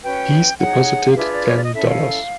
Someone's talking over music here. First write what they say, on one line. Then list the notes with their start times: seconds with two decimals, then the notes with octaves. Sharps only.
He's deposited Ten Dollars.
0.02 C#4 F#4 B4 G5
0.58 D#4 G#4 C#5 F#5
1.11 F5
1.16 D4 F4 G#4 B4 E5
1.31 D5
1.45 C#5
1.55 D5
1.63 D#5
1.73 C#4 E4 A4 E5
1.87 F5